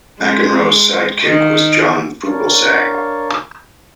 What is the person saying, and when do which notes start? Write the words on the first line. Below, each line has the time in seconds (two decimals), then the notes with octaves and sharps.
McEnroe's sidekick was John Fugelsang.
0.20 G#3
1.23 D#3
2.27 D4 A#4 C#5 F5 A5